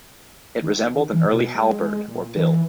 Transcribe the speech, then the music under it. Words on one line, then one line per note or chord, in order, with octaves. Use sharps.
It resembled an early halberd or bill.
D#3
E3
B2
G#3
A#2
E3